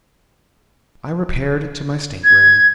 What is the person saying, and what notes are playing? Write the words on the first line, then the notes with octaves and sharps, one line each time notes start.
I repaired to my stateroom.
G#6